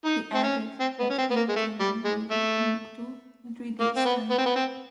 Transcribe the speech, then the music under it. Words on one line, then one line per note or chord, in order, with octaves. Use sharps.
He added that he intended leaving Timbuktu in three days time.
D#4
C4
C#4
C4
B3
C#4
C4
B3
A#3
G#3
A3
G3
G#3
A3
A#3
C4
B3
B3
C4
B3
C4